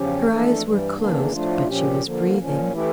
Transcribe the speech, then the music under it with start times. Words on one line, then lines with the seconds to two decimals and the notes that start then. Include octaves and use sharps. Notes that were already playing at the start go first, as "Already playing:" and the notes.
Her eyes were closed, but she was breathing.
Already playing: E2 C#3 F3 C#4 G4
0.27 F2 E3 A3 D4 A4
0.62 G2 E3 G3
0.97 E2 C#3 E3 A#3 D4
1.32 A2 F3 A3 D4 F4
1.66 A#2 F3 C#4 G4
2.02 D3 F3 A#3
2.37 A#2 F3 C#4
2.72 E3 A3 E4 G4